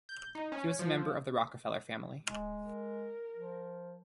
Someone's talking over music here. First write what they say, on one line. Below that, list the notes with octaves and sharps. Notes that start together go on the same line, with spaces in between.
He was a member of the Rockefeller family.
G6
D#4
C#4
F3
G#3
A#4
F3